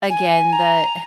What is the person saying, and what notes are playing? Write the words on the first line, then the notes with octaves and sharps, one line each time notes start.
again, the
G#5
A#5